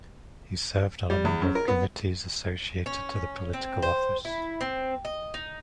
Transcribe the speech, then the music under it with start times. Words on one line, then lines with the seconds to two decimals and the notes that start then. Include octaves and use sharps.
He served on a number of committees associated to the political office.
1.10 G3
1.25 E2
1.42 F#2
1.55 A#4
1.68 B3
2.86 C#4
3.53 C4
3.82 C5
4.25 E4
4.61 C4
5.05 D#5
5.34 D#4